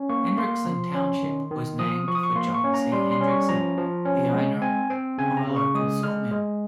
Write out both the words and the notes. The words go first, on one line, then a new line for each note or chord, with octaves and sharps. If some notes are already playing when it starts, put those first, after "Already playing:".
Hendrickson Township was named for John C. Hendrickson, the owner of a local sawmill.
Already playing: C#4
A#3 C#6
A#3 C6
F3
C#4
D#3
D#3
F3 D#6
F3 C#6
D#6
C#6
A#3 C6
C#6
C#4
A#5
G3 C6
C6
C#4
C#6
F3 A#5
F3
C#4
G#3
C4 G#5
C4 G5
C#3 G#5
A#5
C#3
C#6
G#3 D#6
G#3 F6
G#3